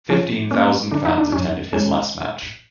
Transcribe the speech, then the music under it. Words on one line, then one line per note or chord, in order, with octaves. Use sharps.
Fifteen-thousand fans attended his last match.
F3 C#4
A#3 C#4
D3 D4
D#4
D4
F#2 C#4
G#3 C#4